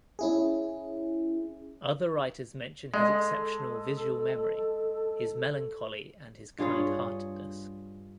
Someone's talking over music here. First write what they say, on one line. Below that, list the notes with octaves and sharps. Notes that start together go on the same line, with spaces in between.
Other writers mention his exceptional visual memory, his melancholy and his kind-heartedness.
C#4 E4 G#4
G#3 A4 D#5
G2 F4 G#4 C#5